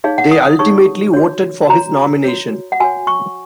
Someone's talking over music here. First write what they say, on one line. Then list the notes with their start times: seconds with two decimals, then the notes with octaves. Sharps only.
They ultimately voted for his nomination.
0.04 D#4 G#4 C#5 F5
0.18 F#5
0.31 D#6
0.45 D#6
0.59 D#4 G#4 C#5 C#6
1.13 F#4 C#5
1.69 F#4 C#5 A#5
2.24 F#4 C#5
2.72 F#5
2.80 F#4 C#5 G#5
3.07 C#6